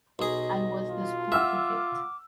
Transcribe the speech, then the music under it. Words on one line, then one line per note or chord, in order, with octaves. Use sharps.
I was the school prefect.
B1 G#4 D#5
F4
E5 F#5 D6 E6 F6